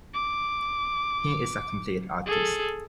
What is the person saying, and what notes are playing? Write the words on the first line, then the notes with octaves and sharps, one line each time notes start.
He is a complete artist.
D6
G#4 A4